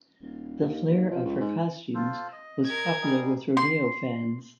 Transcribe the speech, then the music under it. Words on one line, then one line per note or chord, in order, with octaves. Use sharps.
The flair of her costumes was popular with rodeo fans.
D#1
D#2
D#2
F3
C#2
G#2
F4 A4 C5
D#5
A#4 G#6
G3 D#4 G#4
C6